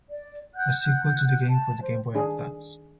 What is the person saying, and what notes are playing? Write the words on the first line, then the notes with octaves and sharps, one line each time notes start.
A sequel to the game for the Game Boy Advance.
D5
F#5 F#6 G6
A5
C5
D#3 D4 G#4